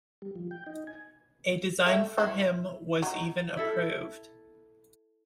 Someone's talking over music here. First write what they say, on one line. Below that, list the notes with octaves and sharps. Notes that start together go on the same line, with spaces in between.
A design for him was even approved.
G3
F3
G5
D#4
G#5
A3 E5
E4 C5
F#3 D#4
E4 A4